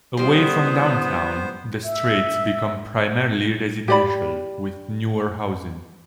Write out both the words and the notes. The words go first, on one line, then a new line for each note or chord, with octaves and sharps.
Away from downtown, the streets become primarily residential, with newer housing.
G3 B3 C#4 E4 C5 C6 D#6
E5
G4 D5 B5